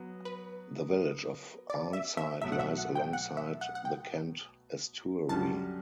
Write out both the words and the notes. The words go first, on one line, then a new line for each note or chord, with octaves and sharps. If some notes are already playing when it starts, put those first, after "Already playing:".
The village of Arnside lies alongside the Kent estuary.
Already playing: F#3 B3
B4
D5
E5
E5
B2 F#3 A3 E5
F#5
E5
F#5
G5
F#5
E5
F#5
F#5
G5
F#2 D3 G3 A5